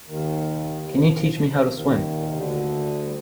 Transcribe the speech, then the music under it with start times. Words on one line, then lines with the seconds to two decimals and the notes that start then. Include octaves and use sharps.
Can you teach me how to swim?
0.06 D#2 D#3
0.82 D#3
0.91 F3
0.98 D#3
1.05 F3
1.13 D#3
1.19 F3
1.27 D#3
1.35 F3
1.41 D#3
1.49 F3
1.56 D#3
1.64 F3
1.71 D#2 D#3
2.12 A#2
2.23 C3
2.34 D2 D3
3.04 G3